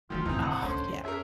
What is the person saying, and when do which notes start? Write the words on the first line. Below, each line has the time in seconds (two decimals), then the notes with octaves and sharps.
Oh, yeah.
0.10 D2 D#3 E3 E4 F4
0.26 E2 A2 E3 C4 D#4
0.45 C#3 F#5
0.63 D#2 D3 C#4 D4 C5
0.82 F2
1.04 C#4 G#4 A#4 E5